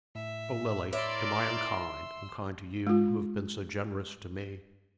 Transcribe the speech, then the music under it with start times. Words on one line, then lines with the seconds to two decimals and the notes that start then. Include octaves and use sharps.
"Oh, Lily, am I unkind,--unkind to you, who have been so generous to me?"
0.15 A2 E5
0.93 E4 A#4 C#5 D5 E5 C6 E6
2.87 G#3 F4